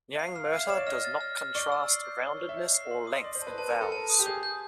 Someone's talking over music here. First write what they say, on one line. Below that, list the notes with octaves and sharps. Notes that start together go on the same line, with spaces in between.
Nyangmurta does not contrast roundedness or length in vowels.
E5
F5 C7
F6
F5
E5 C7
C#5 E7
D5
D#5 F6
A6
F6
F6
D5 C#6
E6
C7
G6
C#5 C#6
C#6
E5
D#5 G6
C7
C6
D#6
D#5
D5 C6
C5
A5
B4
B4 A5
A#4 A5
A4
A5
D#6
G4
G#4 G6
G6